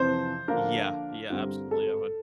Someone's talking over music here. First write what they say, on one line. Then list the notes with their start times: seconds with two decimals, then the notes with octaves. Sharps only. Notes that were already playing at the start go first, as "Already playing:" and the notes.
Yeah, yeah, absolutely, I would.
Already playing: F2 C3 E3 C5
0.48 D3 F3 A#3 D4 A#4
1.30 G2 D3 G3 C4
1.71 A4